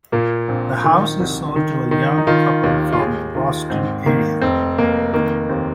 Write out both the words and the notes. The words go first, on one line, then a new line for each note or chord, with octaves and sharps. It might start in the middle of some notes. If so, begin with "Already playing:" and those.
The house is sold to a young couple from the Boston area.
A#2 A#3
A#1 C4
D#3
C2
D#3
D#3
D#4
D#3 F4
D#2
F4
D#2 G#4
D#3 F4
G#2 C4
D#3 A#3
F1 C4
F1 A#3
D#3 A#3
D#2 C4